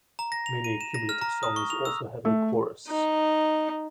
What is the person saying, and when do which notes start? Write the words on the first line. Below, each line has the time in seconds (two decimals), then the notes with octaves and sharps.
Many cumulative songs also have a chorus.
0.19 A#5
0.32 A#6
0.46 F7
0.64 D#7
0.81 E7
0.94 A#6
1.09 F6
1.21 A#5
1.43 D#6
1.56 C#6
1.70 F7
1.85 E6
2.25 A3
2.88 D#4